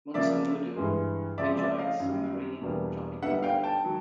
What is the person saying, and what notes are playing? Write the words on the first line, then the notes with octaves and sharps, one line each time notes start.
Mutsamudu enjoys marine tropical weather.
C#3 F3 A#3 D5 E5
G2 E3 G#3
C#3 F3 G#3 C4 D5 E5
D5 E5
D#5 F5
F#2 D#3 G3
E2 B2 G3 A#3 D4
D3 G3 B3 D#4 E5 F#5
F5 G5
G5 A5
D#3 F#3